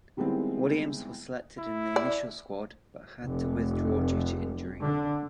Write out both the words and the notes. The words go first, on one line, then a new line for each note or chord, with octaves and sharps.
Williams was selected in the initial squad, but had to withdraw due to injury.
D#3 G3 G#3 B3 C4 E4
E4
D5
F1
D3